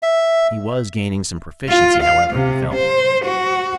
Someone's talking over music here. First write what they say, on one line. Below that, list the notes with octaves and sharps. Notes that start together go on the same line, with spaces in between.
He was gaining some proficiency, however, he felt.
E5
F4
F5
C3
C5
F#4